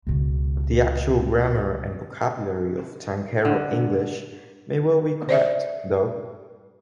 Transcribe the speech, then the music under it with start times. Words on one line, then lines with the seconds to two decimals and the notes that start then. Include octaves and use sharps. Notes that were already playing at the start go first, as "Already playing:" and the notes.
The actual grammar and vocabulary of "tankero English" may well be correct, though.
0.07 C#2 B2
3.45 D3
5.29 C5 D5 E5